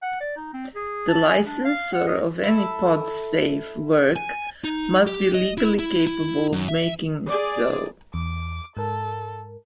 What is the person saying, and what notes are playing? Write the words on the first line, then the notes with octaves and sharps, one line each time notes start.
The licensor of any podsafe work must be legally capable of making it so.
F#5
D5
D#4
C4
G#4
A5
G#5
D4
F5
F#5
D#5
E4 A4
G#5
D#4
G4
D#5
E4
E4
E4
F#2
E5
G#4 D5
E2 D6
G#2 A4 A#4